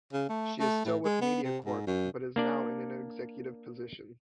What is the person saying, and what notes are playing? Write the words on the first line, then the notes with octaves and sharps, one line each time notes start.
She is still with MediaCorp but is now in an executive position.
C#3
A3
A3
A2
G#3
B3
C3
G#2
F#2
A#3 D4 D5